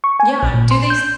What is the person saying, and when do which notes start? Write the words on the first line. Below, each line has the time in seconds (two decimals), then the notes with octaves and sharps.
Yeah. Do they s
0.04 C#6
0.20 G#5
0.43 A#1
0.54 A#2
0.71 C6
0.90 G6